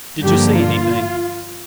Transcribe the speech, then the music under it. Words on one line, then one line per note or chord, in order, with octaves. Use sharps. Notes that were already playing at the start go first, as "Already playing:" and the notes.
'Did you see anything?'
G2 D3 F3 A#3 G4
F4